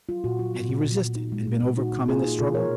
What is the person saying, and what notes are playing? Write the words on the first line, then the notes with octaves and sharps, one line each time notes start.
Had he resisted, and been overcome in the struggle?
F#3 F4
A#2 F#4
F#3 F4
B3
A#2
A#2
A#2
D#4
G#3
A#2
A#2
D#4 F#4
D#4
A#3 F4 G#4
D#4
B2 F4 G#4
B2 A#4 C#5